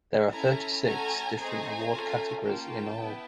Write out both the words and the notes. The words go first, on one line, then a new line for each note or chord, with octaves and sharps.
There are thirty-six different award categories in all.
C#4 E4 A4 G#5 A#5
A3 C#4 F#4 A4 G#5 A#5
A3 C4 D#4 G#4 G#5 A#5
A3 C#4 F4
A#3 C#4 F4 G5 A5
B3 E4